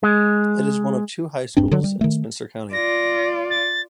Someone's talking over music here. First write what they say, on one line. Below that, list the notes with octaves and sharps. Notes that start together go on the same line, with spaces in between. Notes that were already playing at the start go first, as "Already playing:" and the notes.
It is one of two high schools in Spencer County.
G#3
D#1 G2 C4 D4
D3 F#3
G3
D#3 A3
F4 D5 A#6
A6